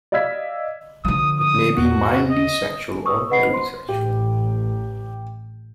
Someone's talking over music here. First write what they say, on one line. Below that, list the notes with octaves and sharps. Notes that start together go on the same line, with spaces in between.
It may be mildly sexual, or very sexual.
D5 D#5 F5 E6 G#6 B6
D3 F3 D#6
D#6
E2 F#4
D#5
C#6 D#6 E6
B4 D#5 F#5 B5 C7
C5 C6
A1 G4